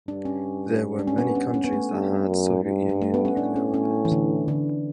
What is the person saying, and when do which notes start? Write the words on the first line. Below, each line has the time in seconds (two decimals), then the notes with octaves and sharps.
There were many countries that had Soviet Union nuclear weapons.
0.08 G2 D4
0.25 C#4
0.99 D4
1.08 C#4
1.18 B3
1.35 C#4
1.54 C#4
1.64 B3
1.73 A3
1.91 G2
2.27 F#2
2.64 G2
2.89 G3
3.02 A3
3.14 B3
3.25 C#4
3.37 A2 D4
3.56 C#4
3.74 C#4
4.05 E3
4.12 D3
4.48 D3